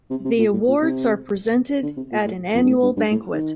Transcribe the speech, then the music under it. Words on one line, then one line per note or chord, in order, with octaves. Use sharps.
The awards are presented at an annual banquet.
C3
C3
A#2
A2
A#2
C3
D3
C3
A#2
A2
F2
G2
A2
G2
G2
A2
D#3